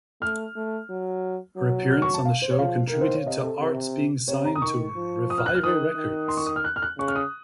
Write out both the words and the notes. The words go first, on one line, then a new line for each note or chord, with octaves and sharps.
Her appearance on the show contributed to Arts being signed to Reviver Records.
A3 F6
A3
F#3
F#3
F6
C#6
A5
F5
C5
C#5
F3 F5
D#3 A#4
C5
C#5
C3 D#5
A4
C3
C3 C#5
A#5
D#6
D#3 C#6
F3
D#6
F6
F#6
F6
D#3 D#6
D#3
C6
C#6
D#6
F6
F#6
F6
F#6
C#3 C#6
F6
D#6